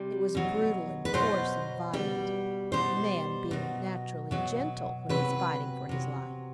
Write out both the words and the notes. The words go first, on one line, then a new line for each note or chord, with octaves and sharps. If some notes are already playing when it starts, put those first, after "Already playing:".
It was brutal and coarse and violent,--man being naturally gentle when he's fighting for his life.
Already playing: C3 G3
B2 F#3
B4
B2 F#3 C5
B2 G3
B2 G3 C5
B2 F#3
B2 F#3
C3 F#3 B4
C3 F#3